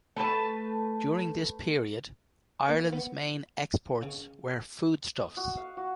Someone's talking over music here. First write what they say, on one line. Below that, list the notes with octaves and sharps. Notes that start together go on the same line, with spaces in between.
During this period, Ireland's main exports were foodstuffs.
A3 B4 C5 A5
A#3
B3
C#3
D#6
F#4
F5
F#4